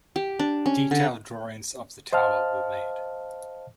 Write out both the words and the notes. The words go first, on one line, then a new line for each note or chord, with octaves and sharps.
Detailed drawings of the tower were made.
G4
D4
C#4
D3
C5 D#5 F5 A5 F6